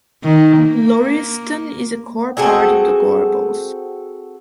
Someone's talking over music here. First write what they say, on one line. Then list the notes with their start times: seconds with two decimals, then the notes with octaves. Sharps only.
Laurieston is a core part of the Gorbals.
0.23 D#3
0.59 A#3
2.37 C4 F#4 G#4 A4